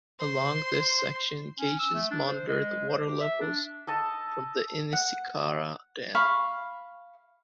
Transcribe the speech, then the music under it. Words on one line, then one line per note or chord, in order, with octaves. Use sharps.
Along this section gauges monitor the water levels from the Inniscarra Dam.
C5 C6
C#4
E6
A3
D4
C5
G#3
C5
G4
E5
D4
A4 D#5 A5 D#6
F#5
F5 B5 C#6